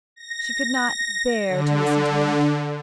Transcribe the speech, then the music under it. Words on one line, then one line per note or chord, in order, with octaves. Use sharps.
She could not bear to listen to him.
A#6
D3